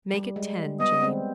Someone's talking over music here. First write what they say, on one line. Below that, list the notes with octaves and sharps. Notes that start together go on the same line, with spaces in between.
"Make it ten, Jane."
G3
G#3
G3 B3 D#5
G#3 C4